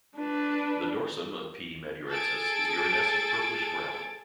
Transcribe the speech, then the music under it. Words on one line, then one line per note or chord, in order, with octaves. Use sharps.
The dorsum of "P. madurensis" is iridescent purplish brown.
D4 B4
G#4 A4 G#6 A6 D7